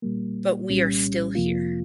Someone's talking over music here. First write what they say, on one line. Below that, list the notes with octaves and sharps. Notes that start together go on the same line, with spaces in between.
But we are still here.
A#2 G3 A#3
C2 A#2 G3 C#4
F2 C3 F3 A#3 F4